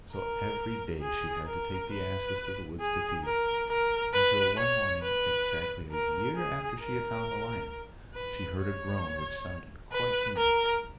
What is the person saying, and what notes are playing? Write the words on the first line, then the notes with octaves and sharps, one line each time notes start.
So every day she had to take the asses to the woods to feed, until one morning, exactly a year after she had found the lion, she heard a groan which sounded quite human.
A#4
G#4
A#4
B4
G#4
A#4
A#4
B4
C#5
B4
A#4
G#4
A#4
B4
C#5
B4
A#4